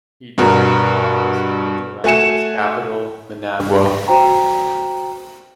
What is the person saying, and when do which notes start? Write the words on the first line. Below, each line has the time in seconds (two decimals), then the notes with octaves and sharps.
He died in office in Nicaragua's capital Managua.
0.38 G2 B2 F#4 A#4
2.04 A3 F#4 G#5 C#7 E7
4.08 F#4 C5 G5 A#5